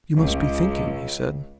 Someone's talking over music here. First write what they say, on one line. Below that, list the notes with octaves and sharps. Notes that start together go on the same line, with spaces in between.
"You must be thinking," he said.
C#2